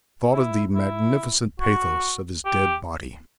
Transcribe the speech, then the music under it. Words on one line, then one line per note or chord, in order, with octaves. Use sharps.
He thought of the magnificent pathos of his dead body.
E4
E4
F#4
G4